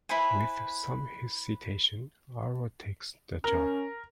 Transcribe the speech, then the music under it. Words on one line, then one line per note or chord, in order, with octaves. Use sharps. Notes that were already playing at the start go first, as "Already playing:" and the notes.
With some hesitation, Arlo takes the job.
E4 B4 C5 G#5
C#4 A#4